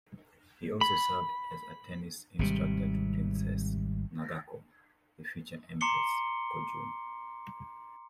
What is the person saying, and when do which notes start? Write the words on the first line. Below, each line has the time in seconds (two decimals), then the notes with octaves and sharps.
He also served as a tennis instructor to Princess Nagako, the future Empress Kojun.
0.81 B5
2.39 G#1 C3 G3
5.81 A#5 C6 D6 C7 C#7 G7